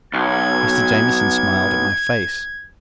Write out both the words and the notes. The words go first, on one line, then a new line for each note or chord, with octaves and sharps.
Mr. Jamieson smiled at my face.
B1 G#6